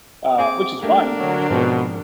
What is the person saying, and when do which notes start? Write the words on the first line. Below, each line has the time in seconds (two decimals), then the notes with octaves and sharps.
uh, which is fine, but
0.38 C4 G#4 G#5 D6
0.82 A3 A#3 D4 G4 A#4
1.19 D3 F#3
1.50 G#2 B2 F3 C4